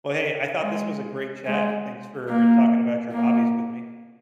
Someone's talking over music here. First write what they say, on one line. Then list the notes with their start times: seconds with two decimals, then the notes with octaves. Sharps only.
Well, hey, I thought this was a great chat. Thanks for talking about your hobbies with me.
0.62 G#3
1.46 G#3
2.28 A#3
3.11 A#3